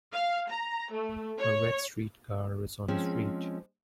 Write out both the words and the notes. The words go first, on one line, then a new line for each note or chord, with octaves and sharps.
A red streetcar is on the street.
F5
A#5
A3
C#5
F3 G#3 C4 C#4